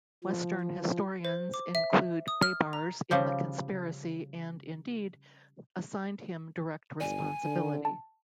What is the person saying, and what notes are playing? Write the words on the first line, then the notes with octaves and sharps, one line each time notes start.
Western historians include Baibars in the conspiracy and, indeed, assign him direct responsibility.
F3
F3
C5
D6
E5
D#6
F6
A#5
C#3 F3 G3
G1 D5 G#5
D3
A5